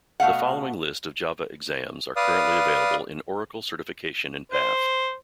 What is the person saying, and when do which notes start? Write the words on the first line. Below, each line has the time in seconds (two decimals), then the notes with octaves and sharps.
The following list of Java exams are currently available in Oracle certification and path.
0.20 B2 A3 F5 F#5
2.16 B4 D5 F5 D#6
4.52 C5